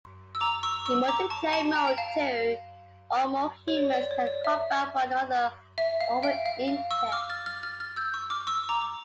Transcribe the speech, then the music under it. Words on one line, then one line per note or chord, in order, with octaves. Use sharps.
In Multiplayer mode two or more humans can combat one another over the Internet.
E6
A#5 D6
C#6 E6
C#6 E6
A#5 D6
A5 C#6
A5 C#6
G5 A#5
G5
F5 A5
C#5
D5
D5
C#5
D5
E5
E5
F5
E5 G5
F5
F5
C#6 E6
D6 F6
F6 A6
F6 A6
F6 A6
F6 A6
E6 G6
C#6 E6
D6 F6
C#6 E6
A#5 D6
D6